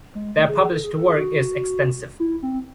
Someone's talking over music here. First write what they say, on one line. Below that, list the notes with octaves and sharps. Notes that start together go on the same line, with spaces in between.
Their published work is extensive.
G#3
A3
G#4
G#4
A4
G#4
A4
G#4
F#4
E4
C4